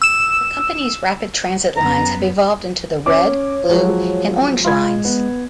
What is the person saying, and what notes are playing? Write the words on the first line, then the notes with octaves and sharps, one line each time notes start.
The company's rapid transit lines have evolved into the Red, Blue, and Orange Lines.
E6 E7
F#2 B3 A#5
C#4 C#5 D6
F3 F#3 G#3
G#3 F4 B5 G#6
B3